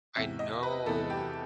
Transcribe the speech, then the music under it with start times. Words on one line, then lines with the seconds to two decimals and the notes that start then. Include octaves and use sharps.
I know.
0.16 E2 C3 E3 E5
0.39 D#5
0.63 B4
0.86 E2 C3 E3 A4
1.10 G4